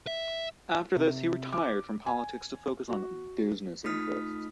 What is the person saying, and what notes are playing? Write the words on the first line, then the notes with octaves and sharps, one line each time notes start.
After this he retired from politics to focus on business interests.
E5
C3
D6
G#5
F#4
A3 D#4 F4 D#6 F6 B6